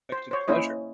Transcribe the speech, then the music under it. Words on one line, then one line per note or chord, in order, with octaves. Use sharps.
What an unexpected pleasure!
C5
C5 C#5
A#3 C#4 E4 C5 D#5